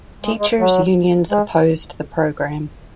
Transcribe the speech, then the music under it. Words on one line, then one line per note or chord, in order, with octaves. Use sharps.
Teachers unions opposed the program.
G#3
G#3
F#3
G#3